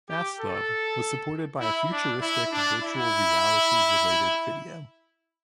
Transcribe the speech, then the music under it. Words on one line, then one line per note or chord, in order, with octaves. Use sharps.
"Fastlove" was supported by a futuristic virtual reality-related video.
G4
A4
E4
D4
E4
D4
E4